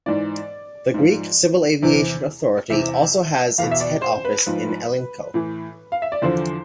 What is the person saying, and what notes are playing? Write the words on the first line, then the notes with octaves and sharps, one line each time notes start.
The Greek Civil Aviation Authority also has its head office in Elliniko.
G#2 E3 D5
G#2 F3
E2 C3 E3
E2 C3 E3 E5
E2 B2 F5
E5
D5
C5
B4
G#2 F3
A2 E3
F5
E5
D5
E2 D3 F3 C5